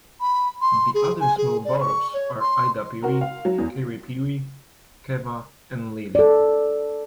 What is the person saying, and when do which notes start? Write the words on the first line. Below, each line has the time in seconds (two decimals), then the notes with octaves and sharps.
The other small boroughs are Eidapere, Kaerepere, Keava and Lelle.
0.21 B5
0.61 C6
0.94 G#4
1.20 G#5
1.38 G#4
1.65 D5
1.81 C#6
2.14 C#5
2.40 C6
3.02 F#4 A#4
3.21 F5
3.45 F#3
3.58 E2
6.15 A4 D5